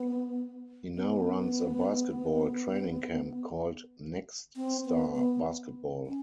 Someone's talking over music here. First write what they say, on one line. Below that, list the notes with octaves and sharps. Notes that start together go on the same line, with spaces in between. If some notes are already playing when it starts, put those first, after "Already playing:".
He now runs a basketball training camp called NextStar Basketball.
Already playing: B3
B3
C4
B3
B3
C#4